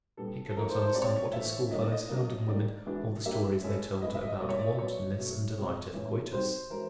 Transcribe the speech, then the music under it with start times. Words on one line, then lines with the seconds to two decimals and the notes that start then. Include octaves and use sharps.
He could not understand what his schoolfellows found in women, or the stories they told about wantonness and delight of coitus.
0.17 A#2 G3 B3 D4 A4
0.50 A4
0.57 F3 A3 C#4 F4 G#4 A#4
0.70 C5
0.82 C5
0.95 G#3 C4 E4 G4 D5
1.02 C#5
1.08 D5
1.33 A2 E3 A3 E5
1.71 D3 G3 A#3 C#4 D#5
1.81 D5
1.92 D#5
2.09 C#3 F#3 A#3 D4
2.48 D3 G3 A#3 D5
2.86 E3 G#3 B3 D4 F#4
3.25 F#3 A#3 D4 G4 E5
3.63 G#3 C#4 E4 A4
4.02 G#3 B3 E4 D#5
4.14 E5
4.27 D#5
4.40 B2 G3 A#3 D5
4.49 C#5
4.58 D5
4.78 A#2 F#3 B3 C#5
5.18 B2 F#3 A3
5.56 B2 G#3 C4 F4 G#4
5.94 A2 E3 G#3 C#4 F4
6.32 G3 C4 D#4 F#4 A4 C5
6.70 E3 G#3 C#4 F#4 A#4